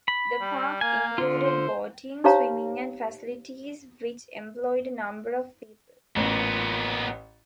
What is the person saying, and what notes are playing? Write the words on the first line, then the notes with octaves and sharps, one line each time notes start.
The park included boating, swimming and facilities which employed a number of people.
B5
G3
A#3 G#5
D3 F4
C5
D#4 G4 C5 C#5 F5 A#5
A1 A#2 B3